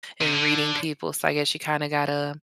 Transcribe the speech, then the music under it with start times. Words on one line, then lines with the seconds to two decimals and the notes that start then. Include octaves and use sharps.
in reading people so, I guess you kinda gotta
0.21 C3
0.33 D3